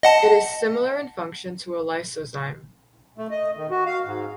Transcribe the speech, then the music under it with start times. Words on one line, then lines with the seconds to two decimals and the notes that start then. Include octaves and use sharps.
It is similar in function to a lysozyme.
0.03 D#5 F#5 A5
3.18 A3
3.31 D#5
3.57 D#3
3.71 F#4
3.86 F5
4.06 G#2